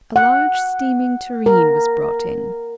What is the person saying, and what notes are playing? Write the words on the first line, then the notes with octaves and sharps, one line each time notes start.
A large steaming tureen was brought in.
F#5
A#4